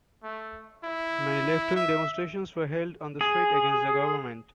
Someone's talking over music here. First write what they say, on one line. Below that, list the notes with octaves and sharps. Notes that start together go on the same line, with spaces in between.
Many left-wing demonstrations were held on the street against the government.
A3
E4
E5
G#4